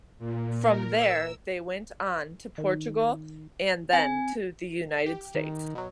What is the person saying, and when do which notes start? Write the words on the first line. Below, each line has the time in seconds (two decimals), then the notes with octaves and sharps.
From there they went on to Portugal and then to the United States.
0.19 A#2
0.60 A#4
0.95 E6
2.58 D#3
3.93 C4 G#5
5.06 G4
5.35 D#3
5.75 B2 F#3